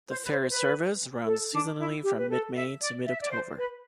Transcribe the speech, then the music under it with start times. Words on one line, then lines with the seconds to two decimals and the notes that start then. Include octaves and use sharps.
The ferry service runs seasonally from mid-May to mid-October.
0.10 C5
0.23 B4
0.30 C5
0.42 C5
0.49 B4
1.26 A4
1.52 D4
1.78 E4
2.03 G4
2.18 B4
2.29 A4
2.55 E5
2.81 D5
3.07 E5
3.20 D5
3.32 C5
3.58 B4